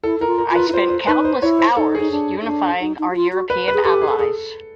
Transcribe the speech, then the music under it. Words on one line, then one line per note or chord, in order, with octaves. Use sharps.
I spent countless hours unifying our European allies.
E4 A4
E4 A#4
F4
A#4
F4
B4
E4
F4 C5
C5
D#4 B4
C5
E4 C#5
C5
D#4 A4
G#4
D#4
D4
D#4
D4
D#4
D#4
F#4
F4
F#4
B4
B4
G#4
G4 A4
G#4
A4
G#4 A4